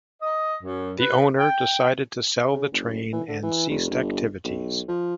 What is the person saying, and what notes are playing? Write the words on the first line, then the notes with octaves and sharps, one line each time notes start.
The owner decided to sell the train and ceased activities.
D#5
F#2
B4
G5
C#3
F#1
E3
D3
E3
F1
G1
B1
F3